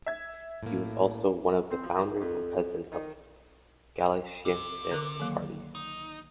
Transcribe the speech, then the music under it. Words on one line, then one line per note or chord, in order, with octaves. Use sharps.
He was also one of the founders and president of the Galicianist Party.
E5 G#6
A2 A#3
C4
F3
F2
D#3
C3
D3 A#4 D6
D#3 F#3 A#3
D#4